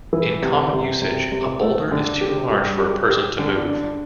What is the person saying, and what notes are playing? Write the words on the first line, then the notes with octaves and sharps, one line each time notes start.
In common usage, a boulder is too large for a person to move.
E3
C3
C3
C3
C3
A3
D3
G4
G3
G4
G4
D3
D4